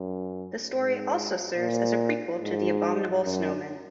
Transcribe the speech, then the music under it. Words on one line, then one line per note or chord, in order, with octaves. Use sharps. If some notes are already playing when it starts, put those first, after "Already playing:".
The story also serves as a prequel to "The Abominable Snowmen".
Already playing: F#2
G#2
A#2
G#2
F#2